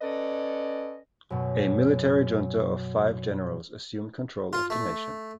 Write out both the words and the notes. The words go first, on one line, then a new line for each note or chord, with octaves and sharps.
A military Junta of five Generals assumed control of the nation.
C#4 A4 B4 D5 D#5
F#2 B2
F4
A3